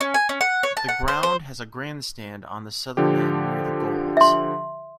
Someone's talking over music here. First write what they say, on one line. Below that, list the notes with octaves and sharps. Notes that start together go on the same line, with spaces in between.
The ground has a grandstand on the southern end near the goals.
C#4
G#5
C#4
F#5
C#5
A5
F#5
C5
C5
D3 F3 G4
E5 C6